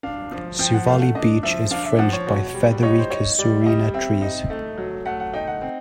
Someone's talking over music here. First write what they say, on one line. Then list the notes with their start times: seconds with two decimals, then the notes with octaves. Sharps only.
Suvali beach is fringed by feathery casurina trees.
0.03 D4 F5
0.32 F3
0.59 F3 G5
0.73 F#5
0.87 A3 F5
1.01 F#5
1.15 D4 D#5
1.43 F3 E5
1.71 D4 F5
1.85 E5
1.99 F3 F#5
2.13 C#5
2.27 B2
2.54 G3
2.83 D#4 C#5
2.99 C5
3.10 D#4 C#5
3.38 G3 D5
3.61 E5
3.66 G3 D#5
3.94 C4 E5
4.22 D#4
4.50 A3
4.78 F#3
5.05 A3 F#5
5.20 F#5
5.33 D#4 G5
5.47 F#5
5.62 C4